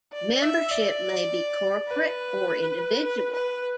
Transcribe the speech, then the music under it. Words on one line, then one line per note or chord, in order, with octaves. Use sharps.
Membership may be corporate or individual.
D5
E5
D5
B4
B4
B4